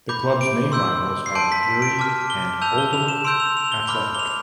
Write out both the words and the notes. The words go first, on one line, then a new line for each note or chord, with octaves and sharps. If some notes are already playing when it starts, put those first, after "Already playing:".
The club's main rivals are Bury and Oldham Athletic.
B5 D6 G6
D7
C6 E6 G6
C7
A5 C6 G6 D7
B6
D7
A5 D6 F6
G7
A5 E6 G6 F7
G7
F7
E7
C6 E6 G6 D7
F7
F7
G7
B5 D6 F6 G7
G7
F7